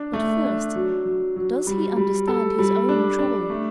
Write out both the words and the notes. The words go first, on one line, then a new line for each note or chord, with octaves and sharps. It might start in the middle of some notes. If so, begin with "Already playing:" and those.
But first, does he understand his own trouble?
Already playing: D4
A3
D4
F#3
F#3
F#3
G3
G3
A4
G3
D4
D4
A3